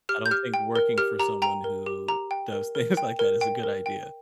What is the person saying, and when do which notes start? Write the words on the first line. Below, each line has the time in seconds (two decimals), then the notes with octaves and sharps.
I don't think working for someone who does things like that is a good idea.
0.09 G4 F6
0.26 G6
0.31 G4 F6
0.54 G5
0.76 A#4
0.98 G4 F6
1.20 G4 A#5
1.42 G5 A#5
1.64 A#4
1.86 G4
2.08 G4 A#5
2.31 G5
2.53 A#4
2.75 A#4
2.97 G5
3.19 A#4
3.41 G5
3.63 A#4
3.86 G5